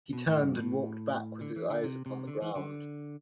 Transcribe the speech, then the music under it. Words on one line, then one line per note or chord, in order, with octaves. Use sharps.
He turned and walked back with his eyes upon the ground.
B2
A2
G2
A2
D3
E3
D3
C3
C3
D3
E3
D3